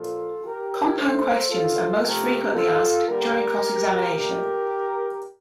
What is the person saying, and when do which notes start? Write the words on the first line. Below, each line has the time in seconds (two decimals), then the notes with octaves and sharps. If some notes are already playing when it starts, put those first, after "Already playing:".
Compound questions are most frequently asked during cross-examination.
Already playing: A#2 F3 A#3 F4 A4
0.45 G4 A#4
0.97 A#2 A3 A4 C5
1.50 F4 A4
2.03 C3 F3 A3 G4 A#4
2.54 F4 A4
3.07 D3 G3 A#3 G4 A#4
4.12 A#2 A3 G4 A#4